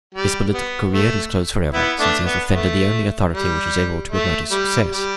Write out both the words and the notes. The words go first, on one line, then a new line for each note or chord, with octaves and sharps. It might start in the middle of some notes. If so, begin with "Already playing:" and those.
His political career is closed forever, since he has offended the only authority which is able to promote his success.
G3
B3
A3
B3 E4
A3 D4
B3
A3
G3
A3
G3
G3